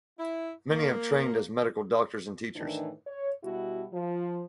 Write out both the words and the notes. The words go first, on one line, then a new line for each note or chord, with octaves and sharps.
Many have trained as medical doctors and teachers.
E4
A#3
A2 D#3 E3 D4
C#5
B2 G3 E4 F#4
F3